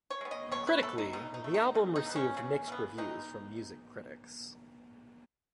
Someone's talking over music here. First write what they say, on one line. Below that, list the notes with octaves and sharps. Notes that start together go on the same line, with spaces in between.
Critically, the album received mixed reviews from music critics.
C#5
G#3 B3
D#5
B2 C#5
B4
A3 A4
D#4
B2 D#4
D#4
A3
D#4
C#3
D#4
E3 B3
C#4
C#3
E3 B3
E3 D#4